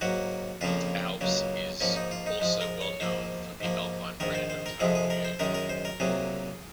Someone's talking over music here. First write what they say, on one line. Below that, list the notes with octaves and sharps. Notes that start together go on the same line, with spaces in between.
Alps is also well known for the Alpine brand of car audio.
G#2 F#3 A#3 F#4
F2 C#3 F3 A#3 F4
C#2 C#3 F#3 A#3
G#2 F3 A#3 C#4
D#4
F4
D#4
G#2 F3 G#3
A#4
C#5
G#2 F3 A#3 C5
G#2 F3 A#3
A#1 G#2 D#3 A#4
C5
C5
A#4
F2 C3 F3 G#3 G#4
G#4
A#4
C5
F#2 D#3 G#3 A#4
A#4
C5
A#4
C2 C3 F#3 A#3 G#4